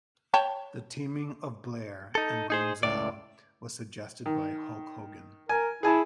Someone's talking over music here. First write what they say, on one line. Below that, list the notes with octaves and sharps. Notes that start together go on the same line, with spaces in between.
The teaming of Blair and Brunzell was suggested by Hulk Hogan.
C#5 G5 A5
D#4 A4
D#4 G#4 C5
C#2 A2 D5
D#3
A#4 G#5
E4 G#4 G#5 A5